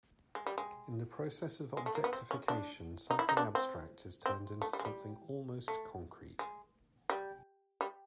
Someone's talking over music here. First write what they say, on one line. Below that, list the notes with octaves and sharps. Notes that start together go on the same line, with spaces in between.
In the process of objectification something abstract is turned into something almost concrete.
G#3
G3
G#3
G#3
A3
A#3
B3
C4
C#4
D4
D#4
E4
D#4
D4
C4
C4
A3
G3
G#3
G3
A3
G#3
G3
G3